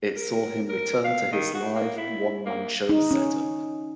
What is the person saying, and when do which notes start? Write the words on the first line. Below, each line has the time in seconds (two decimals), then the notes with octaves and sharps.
It saw him return to his live one-man show set up.
0.16 A#4
0.69 A#4
1.04 F5
1.32 D#3
1.54 F#4
1.75 A#3
1.98 E4
2.46 A#3
2.89 D#4
3.11 C#4